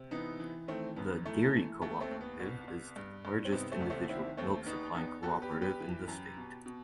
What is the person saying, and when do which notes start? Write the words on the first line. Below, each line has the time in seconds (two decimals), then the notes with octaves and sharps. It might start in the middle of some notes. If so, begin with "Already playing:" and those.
The dairy cooperative is the largest individual milk supplying cooperative in the state.
Already playing: C3
0.11 E3 B3 D#4
0.40 E3
0.68 D#3 A3 C4
0.96 F#2 B3
1.25 E3 A3
1.54 E3
1.82 D#2 A3
2.01 A3 C4
2.11 D#2
2.21 B3
2.39 C2
2.68 C2
2.96 G2
3.25 G2
3.45 C4
3.52 C3 B3 D#4
3.72 A3 C4
3.81 C2
3.90 A3 C4
4.09 D#3 C4 E4
4.37 D#2 A3 C4
4.66 E2 B3 D#4
4.95 E2 B3 D#4
5.23 E2 F#4 A4
5.42 G4 B4
5.51 E2
5.61 G4 B4
5.80 E3
6.08 F#2
6.37 B2
6.66 B2